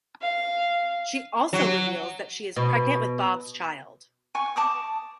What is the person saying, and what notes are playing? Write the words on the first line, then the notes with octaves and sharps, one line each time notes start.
She also reveals that she is pregnant with Bob's child.
F5
F#3
B2
G#5 C#6
A5 D6 D#6